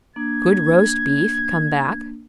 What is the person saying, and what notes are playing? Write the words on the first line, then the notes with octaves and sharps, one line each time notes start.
Could roast beef come back?
A#3 D4 G#6